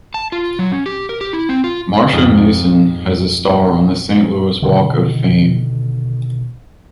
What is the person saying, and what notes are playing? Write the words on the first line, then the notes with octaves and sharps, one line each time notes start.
Marsha Mason has a star on the Saint Louis Walk of Fame.
A5
F4
F#3
C#4
G4
A#4
G4
E4
C4
F4
F2 G#2
B2 D3 D#3